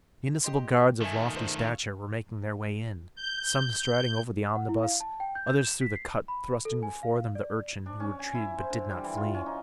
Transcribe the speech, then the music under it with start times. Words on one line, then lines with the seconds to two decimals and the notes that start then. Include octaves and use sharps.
Municipal guards of lofty stature were making their way in, some striding over the omnibus, others through the cut, thrusting before them the urchin, who retreated, but did not flee.
0.44 G4 D#5 C6
1.02 D#3 A3 F#4 E5 G#5
1.35 F4 C5 D5
1.59 C#5 E5 F5
3.16 G6
4.55 F#5
4.69 E4
4.83 F5
5.00 A5
5.20 G5
5.35 G6
5.47 G6
5.64 E7
5.81 B6
5.95 C7
6.28 B5
6.65 A4
6.83 G#5
7.03 F5
7.35 D5
7.86 D4
8.00 C#4
8.19 G#5
8.35 E4
8.58 C5
8.70 D3
8.91 G3
9.04 E3
9.17 F4
9.34 C#4
9.46 D#4